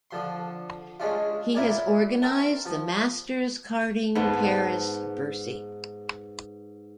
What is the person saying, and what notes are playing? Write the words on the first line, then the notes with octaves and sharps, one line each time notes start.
He has organised the Masters Karting Paris Bercy.
D3 F3 C6
G#3 C#4 D4 F4
A#2 E4 A#4 D5 G#5
C4 A#4 A5
F3
G#2 B3 A5